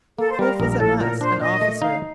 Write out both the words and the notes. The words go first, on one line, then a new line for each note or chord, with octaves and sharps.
Wolfe was at last an officer.
A#3 A4
C5
G3 A#4
A#1 A#4
A#4
A2 A4
A#2 A#4
D4 C5
A#2 D#5
A3
D#4 F5